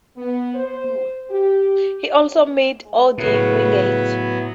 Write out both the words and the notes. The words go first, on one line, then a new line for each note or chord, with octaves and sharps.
He also met Orde Wingate.
B3
C5
G4
A2 C#3 F#3 B3 B4